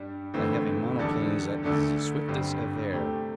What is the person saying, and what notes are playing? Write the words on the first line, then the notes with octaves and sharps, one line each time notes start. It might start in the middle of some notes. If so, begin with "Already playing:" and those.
I have a monoplane zat is ze swiftest evaire!
Already playing: G2 G3 D4
G1 G2 E3 A3 C4
E2 D3 G3 D4 A4
D2 D3 A3 D4 A4
G1 G2 G3 C4
C3 A3 D4 G4